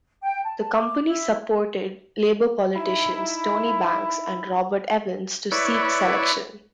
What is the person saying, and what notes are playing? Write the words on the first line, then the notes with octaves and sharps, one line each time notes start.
The company supported Labour politicians Tony Banks and Robert Evans to seek selection.
G5
A5
D6
E4
D#4 E4
E4 B4 C#5 D5